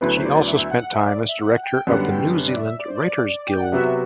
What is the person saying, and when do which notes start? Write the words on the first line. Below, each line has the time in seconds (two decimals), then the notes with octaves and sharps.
She also spent time as director of the New Zealand Writers Guild.
0.01 D2 D3 F#3 B3 E4 B4
0.16 C5
0.24 D5
0.47 E5
0.70 F#5
0.94 E5
1.05 D5
1.29 E5
1.40 F#5
1.63 G5
1.87 F#2 D3 G3 B3 F#5
2.10 G5
2.47 D5
2.56 E5
2.79 D5
2.88 C5
2.95 D5
3.48 G5
3.60 F#5
3.72 C3 F#3 B3 F#4 E5